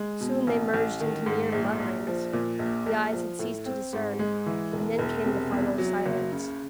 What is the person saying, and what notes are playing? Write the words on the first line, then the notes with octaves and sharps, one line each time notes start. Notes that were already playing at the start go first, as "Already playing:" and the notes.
Soon they merged into mere mutterings; the eyes had ceased to discern; and then came the final silence.
Already playing: G#3
B2
A1
A1
D#3
G#2
A#1
A#1
F3
A#2
A#1
A#1
F3
A2
C4
G#2
G#3
E3
E1
E1
C3
E2
F#3
F#1
C#3